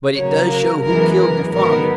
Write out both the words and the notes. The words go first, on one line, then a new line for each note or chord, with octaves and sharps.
But it does show who killed your father.
C#3 F#3 A#3 C#5
A#4
F#2 E3 G#3 B3 A#4
A#4
G#2 D#3 F#3 B3 A#4